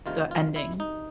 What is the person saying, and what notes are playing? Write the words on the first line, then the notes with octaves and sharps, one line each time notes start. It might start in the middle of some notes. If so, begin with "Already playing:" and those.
the ending.
D2 C3 D#3 G3 F4
F4
E4
D#4